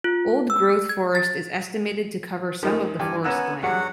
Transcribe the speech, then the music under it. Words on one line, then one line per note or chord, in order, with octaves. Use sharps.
Old growth forest is estimated to cover some of the forest land.
F4
E6
G#6
A6
F#2 D#3 F3 G4 A#4 D#5
G2 E3 G5 G#5
B3 C#4 G#5 A#5 E6 F#6 E7
G2 F#3 F#4 G#4 F#5 C#7